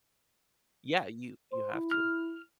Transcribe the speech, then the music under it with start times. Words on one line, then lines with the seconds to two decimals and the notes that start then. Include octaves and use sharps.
Yeah, you you have to.
1.52 C5
1.73 E4
1.91 F6